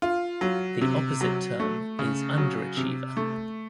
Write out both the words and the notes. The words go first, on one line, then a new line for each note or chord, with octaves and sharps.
The opposite term is underachiever.
F4
F#3
C3
F#3
A3
C#3
F#3
C3
A3